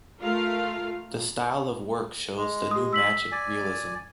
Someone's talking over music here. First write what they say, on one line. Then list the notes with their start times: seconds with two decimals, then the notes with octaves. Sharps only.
The style of the work shows the new magic realism.
0.21 A3 F4 A#4 F5
2.37 G#3
2.71 G4 D#6
2.93 E6 B6 F#7
3.32 D5 G#5